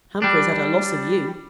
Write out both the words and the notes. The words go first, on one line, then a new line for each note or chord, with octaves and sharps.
Hamper has had a loss of you.
G3 D4